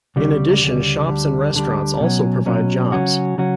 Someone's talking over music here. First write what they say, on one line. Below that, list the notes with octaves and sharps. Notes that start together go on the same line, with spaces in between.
In addition shops and restaurants also provide jobs.
D2 C#3 G3
D2 C#3 G3
D2 D3 G3
D2 D3 G3
B2 F#3 C#4
B2 F#3 C#4
C#3 F#3 C#4 F#4
C#3 F#3 C#4 F#4